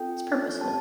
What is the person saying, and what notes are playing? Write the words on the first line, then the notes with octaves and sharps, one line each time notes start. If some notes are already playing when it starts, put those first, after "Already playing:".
It's purposeful.
Already playing: C4 F4 A4 G5
A3 C4 G4 A5